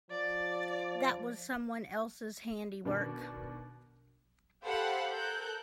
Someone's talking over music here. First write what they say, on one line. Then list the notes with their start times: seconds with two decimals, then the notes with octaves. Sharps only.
That was someone else's handy work.
0.11 F3 D5
2.85 B2 D#3 D4
4.65 G4 A4 C5 F5 F#5 B5
5.11 A4 A#4 F#6 G6